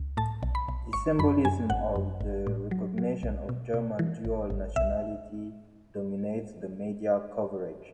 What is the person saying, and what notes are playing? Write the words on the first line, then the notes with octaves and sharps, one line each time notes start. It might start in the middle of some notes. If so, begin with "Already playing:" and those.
The "symbolism of the recognition of German dual nationality" dominated the media coverage.
Already playing: C#2
A2 A5
B1
B5
B1
G#1 C#6
F#2 B5
F#2 G#5
G#1 F#5
F#2
G#1
A2
F#3
F#3
B1
B2
B2
E3
G#1
G#1
B1 E5